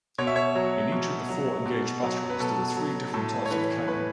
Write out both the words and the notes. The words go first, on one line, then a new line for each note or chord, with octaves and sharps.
In each of the four engaged batteries there were three different types of cannon.
B2 C#5
E5
C#5
F#3
B2
F#3
B2
F#3
B4
B2 A4
F#3
A2 A4
C#5
E3 B4
A2 B4